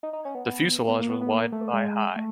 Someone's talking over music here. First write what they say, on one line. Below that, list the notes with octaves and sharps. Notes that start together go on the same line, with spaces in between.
The fuselage was wide by high.
D#4
D#4
C#4
B3
B3
B3
A#3
B3
B3
A#3
A3
G#3
A3